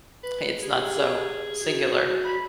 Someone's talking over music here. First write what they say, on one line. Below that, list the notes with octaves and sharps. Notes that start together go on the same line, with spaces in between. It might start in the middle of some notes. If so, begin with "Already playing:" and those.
It's not so singular.
B4
G4 G#4
F#4
B5